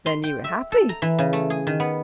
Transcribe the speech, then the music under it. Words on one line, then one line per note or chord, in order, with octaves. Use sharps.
"Then you were happy."
C6
G5
E5
A4
A#5
E3
C#3
A3
G#4
D#3
B3